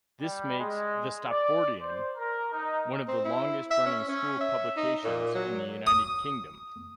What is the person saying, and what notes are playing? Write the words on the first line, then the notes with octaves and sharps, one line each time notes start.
This makes "The Stopfordian" one of the longest-running school publications in the United Kingdom.
G3
G#3
D5
C5
A#4
D#4
C4
E4
E5
C#4
C#4
E5
D#4
A#2
F#3
D#6